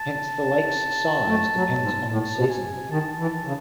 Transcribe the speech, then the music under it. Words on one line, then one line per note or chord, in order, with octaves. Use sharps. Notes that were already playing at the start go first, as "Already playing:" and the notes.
Hence the lake's size depends on the season.
Already playing: A5
A3
F#3
G#2
A2 A5
B2
G#5
D#3 A5
A5
E3
A5
C#3